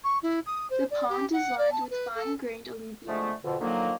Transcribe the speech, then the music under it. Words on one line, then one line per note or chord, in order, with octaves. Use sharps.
The pond is lined with fine-grained alluvium.
C#6
E4
D#6
C5
D5
G4
F#5
D5
A5
B4
A4
D3 F3 G#3 A3
F2 B2 D3
D3 D#3 F3 F#3 A#3